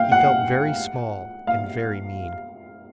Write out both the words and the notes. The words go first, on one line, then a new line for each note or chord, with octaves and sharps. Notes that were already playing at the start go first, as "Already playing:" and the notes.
He felt very small and very mean.
Already playing: F5 G5
F#5
F5